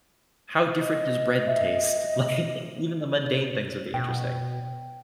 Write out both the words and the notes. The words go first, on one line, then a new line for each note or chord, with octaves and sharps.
how different does bread taste? Like, even the mundane things would be interesting.
D#5
E5
B2 G5